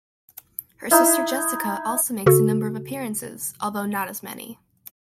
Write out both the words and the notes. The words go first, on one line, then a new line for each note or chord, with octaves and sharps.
Her sister Jessica also makes a number of appearances, although not as many.
D#4 E4
C#3 F#4 A4